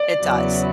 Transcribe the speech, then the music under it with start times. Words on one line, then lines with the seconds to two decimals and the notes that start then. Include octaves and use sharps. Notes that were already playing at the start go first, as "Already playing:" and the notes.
it does.
Already playing: D5
0.20 E2 C#3 F#3 B3 E4